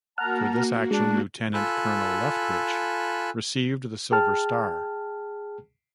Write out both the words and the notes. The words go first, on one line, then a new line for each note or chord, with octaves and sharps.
For this action, Lieutenant Colonel Leftwich received the Silver Star.
A#3 F#4 F#5 A5 A#5 F6
G#3 D4
F4 A4 G#5 B5 E6 F#6
G#4 G5 A5 F6